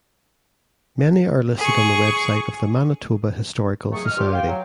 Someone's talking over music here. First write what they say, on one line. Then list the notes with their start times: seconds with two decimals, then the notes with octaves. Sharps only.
Many are listed on the website of the Manitoba Historical Society.
1.59 G#4 C#6
3.91 D#2 F#3 A3 G#4 C#6
4.05 D#5 F6
4.18 G2 F4 G4
4.34 F5 G5
4.48 F#3